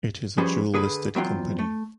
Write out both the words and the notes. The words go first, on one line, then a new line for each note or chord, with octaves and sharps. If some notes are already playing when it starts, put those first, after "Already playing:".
It is a dual-listed company.
F3 G3 C#4 G#4 B4 C5
D3 G#4 B4 B5
E2 F#3 C4 F4
A3